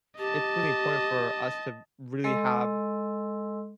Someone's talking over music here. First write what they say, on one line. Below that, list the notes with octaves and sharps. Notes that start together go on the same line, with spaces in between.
it's really important for us to really have
G4 D#5 A5
G#3 A4 D#5 C6 E6